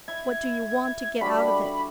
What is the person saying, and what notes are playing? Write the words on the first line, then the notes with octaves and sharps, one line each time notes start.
"What do you want to get out of it?"
E4 G#6
D3 G3 F#4 B5